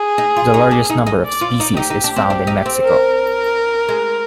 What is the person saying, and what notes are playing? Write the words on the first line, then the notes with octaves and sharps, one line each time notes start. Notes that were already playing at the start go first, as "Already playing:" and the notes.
The largest number of species is found in Mexico.
Already playing: G#4
D#4
F4
D#4
D4
D#4
D#4
D5
F4
D#4
D#4 G4
D#4
D4
C4
D4
D#4
C4
A#4
G#3